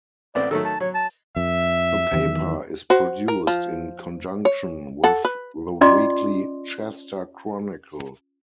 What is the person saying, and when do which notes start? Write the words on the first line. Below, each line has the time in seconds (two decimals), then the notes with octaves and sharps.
The paper is produced in conjunction with the weekly "Chester Chronicle".
0.35 A1 B3 C4 D5
0.51 D#3 F#3 A3 A4
0.65 A5
0.80 F#3 C#5
0.95 A5
1.36 F2 E5
2.13 E2 D#3 F#3
2.90 F#4 C5
3.28 A#4
3.47 F3
4.45 C#5
5.04 A4 F#5
5.25 B4
5.81 C#4 F4 D5 D#5 C6 D6